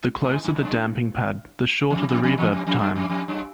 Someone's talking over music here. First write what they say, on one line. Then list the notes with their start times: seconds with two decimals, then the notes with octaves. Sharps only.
The closer the damping pad, the shorter the reverb time.
0.25 G#2
0.44 G2
0.55 G2
0.63 F#2
1.90 E2
1.95 F2
2.10 F2
2.23 F2
2.38 E2
2.52 F2
2.67 F2
2.80 F#2
2.96 F2
3.10 F2
3.28 F#2